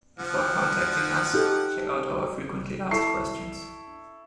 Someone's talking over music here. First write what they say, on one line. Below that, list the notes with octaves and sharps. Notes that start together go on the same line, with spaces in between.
Before contacting us, check out our frequently asked questions.
F3 F#5
D#4 G4 A4
E4 A4 C#6 C7